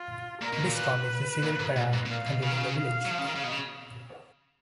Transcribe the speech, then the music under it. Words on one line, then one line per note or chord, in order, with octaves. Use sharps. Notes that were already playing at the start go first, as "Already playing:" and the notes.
Bispham is the civil parish containing the village.
Already playing: F4
A#2 A#4
B2
G#2
A#2
B4
A#2
G#2
A#2
G#2
B2
A#2 F5
B2
C#3
D#3
C#3
F5
F#3
F3
C#3
D#3
C#3
B2
C#3